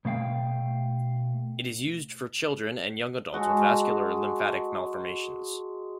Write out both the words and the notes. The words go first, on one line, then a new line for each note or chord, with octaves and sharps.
It is used for children and young adults with vascular or lymphatic malformations.
B2 A3 F5 G5
G#3 F#4 A4